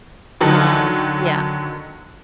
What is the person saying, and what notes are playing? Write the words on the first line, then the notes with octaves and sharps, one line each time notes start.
Um, yeah
D3 D#3 F#3 A4